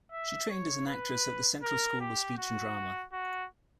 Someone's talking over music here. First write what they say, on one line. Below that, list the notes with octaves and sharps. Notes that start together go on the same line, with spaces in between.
She trained as an actress at the Central School of Speech and Drama.
E5
C#5
B4
A#4
G4
F#4
F#4